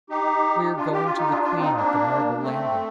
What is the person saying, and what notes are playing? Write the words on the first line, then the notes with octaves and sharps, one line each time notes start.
We are going to the queen at the marble landing.
D#4 G4
D4 F4
G4
F4
D#4
D4 F4
D4 F4
C4 D#4
A#3 D4
A3 C4